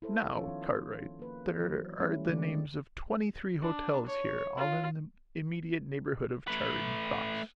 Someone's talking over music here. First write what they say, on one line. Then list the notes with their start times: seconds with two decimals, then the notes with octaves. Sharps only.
Now, Cartwright, there are the names of twenty-three hotels here, all in the immediate neighbourhood of Charing Cross.
0.02 E4 A4 C5
0.35 D#3 F3 B3 C#4 F4 C#5
1.19 A#3 B4
1.60 E3 F#3
2.00 G3 A3 C#4 E4
2.28 D3 G#3 A3 C4 D5
3.62 D4
4.07 C#5
4.57 F4
6.48 A3 B4